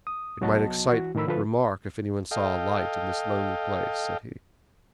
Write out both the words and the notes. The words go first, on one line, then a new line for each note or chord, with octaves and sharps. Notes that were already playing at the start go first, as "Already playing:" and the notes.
"It might excite remark if anyone saw a light in this lonely place," said he.
D#6
C2 F#3 B3 F#4 D#5 A5
E3 F#4
A2 D#3 F3 A#4 B5 E6
D3 F3 F4 A4 B4
A4 D#5 F5 G5